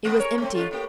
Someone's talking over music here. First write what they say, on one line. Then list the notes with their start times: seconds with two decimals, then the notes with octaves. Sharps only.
It was empty.
0.05 G#3 B3 C4
0.19 G#4 A#4 C#5
0.38 A3 C4
0.55 F#2 A3 F4
0.71 A2 A#3 G4